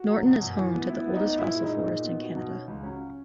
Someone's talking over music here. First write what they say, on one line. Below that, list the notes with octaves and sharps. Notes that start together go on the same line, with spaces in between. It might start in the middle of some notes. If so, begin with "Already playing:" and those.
Norton is home to the oldest fossil forest in Canada.
Already playing: F#4
F#3
B2
F#2
E3
B3
B3 E4
B3
D#4
B3
A#2 E4
G#3
D#4
A#2
A#2
B3
F#4
B2
C#4
C#2
F#3 C#4